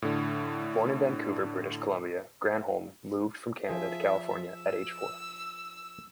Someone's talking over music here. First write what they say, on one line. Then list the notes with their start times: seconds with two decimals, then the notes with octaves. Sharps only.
Born in Vancouver, British Columbia, Granholm moved from Canada to California at age four.
0.02 A2 D3
3.69 F3 G#4 E5
4.50 E6